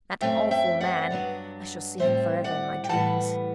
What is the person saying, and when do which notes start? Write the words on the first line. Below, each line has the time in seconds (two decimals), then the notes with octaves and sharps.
That awful man--I shall see him for ever in my dreams.
0.21 F#2 E3 A3 C4 E5 G5
0.51 E5 G5
0.81 D5 F#5
1.10 G2 F#3 B3 D4
2.00 A2 G3 C4 C5 E5
2.44 D5 F#5
2.84 G5
2.89 A2 E3 G3 B3 F#5 A5